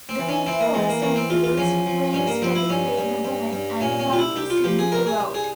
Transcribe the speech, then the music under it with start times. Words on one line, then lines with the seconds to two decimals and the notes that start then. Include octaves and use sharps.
The video also includes Wayne Static playing a woman, and monkeys hidden throughout.
0.09 C4
0.19 E3
0.29 C#4
0.46 E3 C4
0.60 A#3
0.74 E3 G#3
0.89 A#3
1.02 E3 A#3
1.16 C4
1.30 E2 F4
1.44 F4
1.57 F3 C#4
1.86 F3
2.13 G2 C#4
2.27 A#3
2.42 F3 C4
2.55 E4
2.70 G2 C#4
2.98 G2
3.25 G2
3.53 G2
3.81 A#2 C#4
4.00 C#4
4.08 C2 F4
4.19 E4
4.36 C2 G4
4.50 F4
4.64 F3 G4
4.79 G#4
4.92 C2 A#4
5.07 G#4
5.21 C2
5.34 G#4